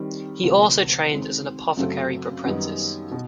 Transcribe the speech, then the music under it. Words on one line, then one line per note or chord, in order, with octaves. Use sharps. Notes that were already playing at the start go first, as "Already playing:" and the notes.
He also trained as an apothecary apprentice.
Already playing: D#3 G3 C4
D2 C3 F3 A#3
D#3 G#3 C4
F#2 C#3 F#3 A3 C4
F#2 D#3 G3 B3 D#4
B2